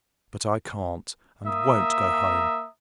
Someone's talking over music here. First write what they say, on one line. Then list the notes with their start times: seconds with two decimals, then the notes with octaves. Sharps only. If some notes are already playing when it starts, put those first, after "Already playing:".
But I can't, and won't, go home.
1.46 A#3 E5 A#5 D#6